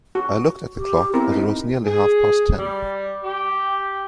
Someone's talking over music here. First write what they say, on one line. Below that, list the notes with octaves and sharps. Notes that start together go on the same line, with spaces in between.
I looked at the clock, and it was nearly half-past ten.
F#4
G4
B3 C4 E4 A#4
D#4
G#4
G3
G4